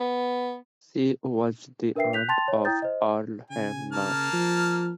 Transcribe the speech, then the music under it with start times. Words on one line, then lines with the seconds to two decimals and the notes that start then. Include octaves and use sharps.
She was the aunt of Earl Hamner.
0.01 B3
1.95 D4 A#4 B4 E5 G5 C7
2.13 F#6 G6 B6 F7
2.28 G5 A5 C6 A6 F7
2.48 C#5 D#5
2.65 E4 G5 A#5 D#6 G6 A6
2.82 C5 D#5
3.50 C#3 G#5
3.92 A#3 A5 F6
4.33 F3